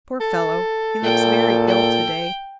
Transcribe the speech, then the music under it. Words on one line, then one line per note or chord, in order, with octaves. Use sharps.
Poor fellow, he looks very ill to-day.
A4
A#2 G5
G5